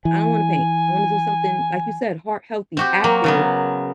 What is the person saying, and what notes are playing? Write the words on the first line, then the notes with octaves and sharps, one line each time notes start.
I don't wanna paint. I wanna do something," like you said, heart healthy, active
E3 G#5
C4 F#4 G4
F#3 A#3
C#3 F#3 B3